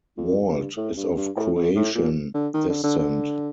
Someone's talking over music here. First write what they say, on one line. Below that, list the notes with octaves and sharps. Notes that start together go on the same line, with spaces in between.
Walt is of Croatian descent.
F2
G2
A2
G2
G2
A2
F2
A2
A#2
D3
D#3
D3
D3
D3